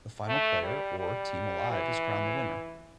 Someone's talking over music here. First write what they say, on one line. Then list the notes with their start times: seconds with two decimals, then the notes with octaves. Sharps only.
The final player or team alive is crowned the winner.
0.28 A3
0.63 G3
0.99 G3
1.70 E3